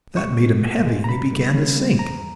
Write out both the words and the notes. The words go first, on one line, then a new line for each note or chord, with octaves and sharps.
That made him heavy and he began to sink.
A#2 C#6
G#3 B3
A#2
G#3 B3
A#5
C#3 B5
G3 A#3
C#3
G3 A#3
E2 A#5